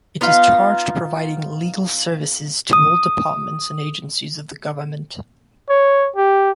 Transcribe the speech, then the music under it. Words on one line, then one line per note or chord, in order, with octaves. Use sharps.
It is charged providing legal services to all departments and agencies of the government.
B3 D#4 F4 F5
D#6
C#5
G4